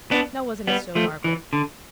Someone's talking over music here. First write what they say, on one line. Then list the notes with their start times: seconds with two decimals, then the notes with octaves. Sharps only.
Now wasn't it so, Margaret?'
0.11 B3 D4
0.67 G3 B3
0.95 F3 A3
1.24 E3
1.53 D3